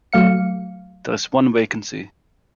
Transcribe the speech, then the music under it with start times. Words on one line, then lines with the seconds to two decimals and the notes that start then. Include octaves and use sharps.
There is one vacancy.
0.13 F#3 A3 F5 C#7